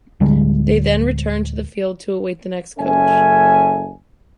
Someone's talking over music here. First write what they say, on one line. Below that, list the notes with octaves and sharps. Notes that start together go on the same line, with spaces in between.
They then returned to the field to await the next coach.
D1 D3 G3 G#3
F#1 C#4 A4 E5 G#5